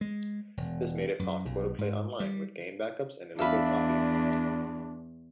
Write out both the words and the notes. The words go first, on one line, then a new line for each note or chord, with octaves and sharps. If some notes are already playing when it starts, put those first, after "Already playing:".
This made it possible to play online with game backups and illegal copies.
G#3
E1
F#2
B1
G#2
G3
E2 D4 E5 F5 B5